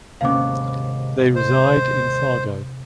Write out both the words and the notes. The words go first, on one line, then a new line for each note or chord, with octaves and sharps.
They reside in Fargo.
D#2 G#2 C3 B3 C#4 F5 D6
C5